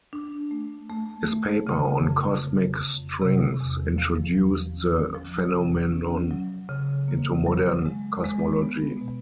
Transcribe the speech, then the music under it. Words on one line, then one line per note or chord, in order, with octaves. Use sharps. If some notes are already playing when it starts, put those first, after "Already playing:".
His paper on cosmic strings introduced the phenomenon into modern cosmology.
D4
A3
A3
A3
C#3
F2
C#3
F2
C3
E2
F3
E2
C#4
F3
C3
C#4
F#3
C#3
A#3
F#3
G#3
G#3
B3
B2